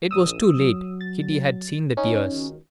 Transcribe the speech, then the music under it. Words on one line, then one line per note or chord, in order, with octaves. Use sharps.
It was too late; Kitty had seen the tears.
A#1 D#6 E6
F#3
A6
C#4 D#4
C#2 D#3 F#4